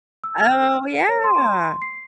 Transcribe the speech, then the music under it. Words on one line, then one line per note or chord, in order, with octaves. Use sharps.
Oh, yeah.
E6
F6
C#5
C6
C7